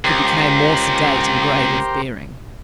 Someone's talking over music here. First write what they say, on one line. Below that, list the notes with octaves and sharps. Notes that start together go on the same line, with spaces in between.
She became more sedate and grave of bearing.
C#2 G4 A#4 C5